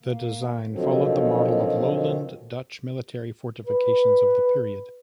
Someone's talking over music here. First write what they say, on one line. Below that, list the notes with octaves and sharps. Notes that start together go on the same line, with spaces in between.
The design followed the model of lowland Dutch military fortifications of the period.
A#3
B2 D3 D#3 F3 F#3 C4
B4